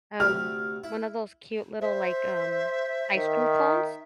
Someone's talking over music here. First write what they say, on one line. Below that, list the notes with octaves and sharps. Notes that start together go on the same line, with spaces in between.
um, one of those cute little, like, um, ice cream cones.
D2 C3 G4 F6
E4
C5 E5
D#3